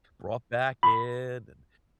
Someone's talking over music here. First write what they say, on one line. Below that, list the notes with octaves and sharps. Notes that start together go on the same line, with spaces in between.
brought back in, and
B5